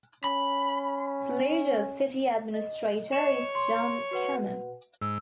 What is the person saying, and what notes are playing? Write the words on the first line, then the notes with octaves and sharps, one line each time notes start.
Saluda's City Administrator is Jon Cannon.
C#4 B5
D#5
C#5 D#5 E7
C6
F#4 B4 F#5
G#2 E6